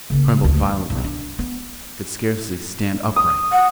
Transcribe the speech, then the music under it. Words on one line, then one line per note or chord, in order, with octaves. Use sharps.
I trembled violently; I could scarcely stand upright.
C#3 A#3
D2
E2
B1
D4
B3
D#6
F#5